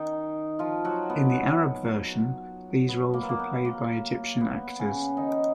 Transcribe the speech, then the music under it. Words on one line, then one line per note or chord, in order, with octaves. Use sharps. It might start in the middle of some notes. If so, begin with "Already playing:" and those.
In the Arab version these roles were played by Egyptian actors.
Already playing: D#3 D#4
F3 F4
F#3 F#4
B3
B3
A#3
B3
A#3
B3
A#3
B3
C#3 C#4
D#3 D#4